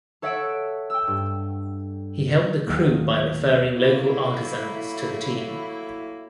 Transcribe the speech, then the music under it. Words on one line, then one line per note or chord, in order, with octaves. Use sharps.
He helped the crew by referring local artisans to the team.
A4 C#5 E5 F#5 E6 D7
G5 E6
G2
D#2 D#3 F#3 A#3
F#3 A3 A#3 E4